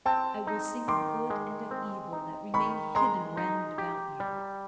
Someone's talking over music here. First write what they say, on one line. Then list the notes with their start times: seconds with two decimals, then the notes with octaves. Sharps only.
I will sing of good and of evil that remain hidden round about you.
0.05 C4 G5 A5
0.47 D#4
0.88 D#3 C6 D6
1.30 G#3
1.71 C4
2.13 D#4
2.54 D#3 B5 C#6
2.95 G#3 A#5 C6
3.37 D#4
3.78 G4
4.20 G3